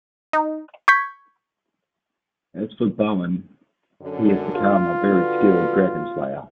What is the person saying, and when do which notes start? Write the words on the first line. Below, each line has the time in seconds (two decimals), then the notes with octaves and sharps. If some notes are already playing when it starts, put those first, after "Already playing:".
As for Bowen, he has become a very skilled dragonslayer.
0.33 D#4
0.88 C#6 G6 G#6 B6
4.02 F#2 D3
4.54 F4
4.99 D3 F#4 B4